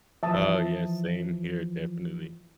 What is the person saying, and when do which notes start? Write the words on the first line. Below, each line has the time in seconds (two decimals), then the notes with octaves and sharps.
Oh, yeah, same here, definitely.
0.23 E3 F3 E5 A5 D#6